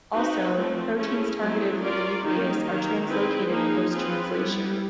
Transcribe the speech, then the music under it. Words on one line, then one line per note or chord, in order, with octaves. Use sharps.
Also, proteins targeted for the nucleus are translocated post-translation.
C4 D#4 F#4 B4
F3 A3 C4
A3 C#4 E4 G#4
F#3 A3 C4 E4 G#4
C#4 F4 A#4 D5
D#3 G3 A#3 D#4 G4
D#3 F#3 A#3
C4 E4 G#4 B4
F3 A#3 D#4 G#4
C4 F4 G#4 B4
G3 B3 E4